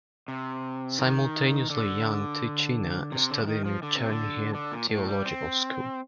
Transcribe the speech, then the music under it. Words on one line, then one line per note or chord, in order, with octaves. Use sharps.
Simultaneously young Tychyna studied in the Chernihiv theological school.
C3
D#3
D3
C3
D3
F3
D#3
F3
D3
C3
D3
D3
A#2
A2
G3
C4